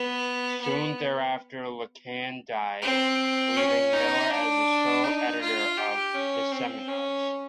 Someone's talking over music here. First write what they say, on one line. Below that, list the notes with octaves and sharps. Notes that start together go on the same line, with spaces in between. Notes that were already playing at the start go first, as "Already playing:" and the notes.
Soon thereafter Lacan died, leaving Miller as the sole editor of his seminars.
Already playing: B3
B3
C4
C#4
D#4
D4
D#4
F4
G4
C#4
C4
C#4